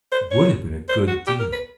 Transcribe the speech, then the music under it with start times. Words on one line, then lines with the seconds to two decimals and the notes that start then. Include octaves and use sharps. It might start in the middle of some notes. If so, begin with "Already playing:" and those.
It would have been a good deal.
0.12 C5
0.31 C#5
0.89 C5
1.07 F#4
1.27 G4
1.39 A#4
1.52 B4